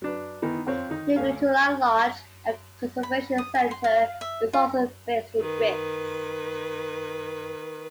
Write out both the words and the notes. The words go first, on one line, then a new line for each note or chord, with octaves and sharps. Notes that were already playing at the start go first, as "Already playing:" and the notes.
Ukutula Lodge and conservation center is also based in Brits.
F#3 D4 B4
D#3 E3 B3 D#4
F2 C4 C#5
D#3 D#4
D2 A3 C#4 F5
B5
D#6
G#5
C6
F5
E5
F4
D#3 B4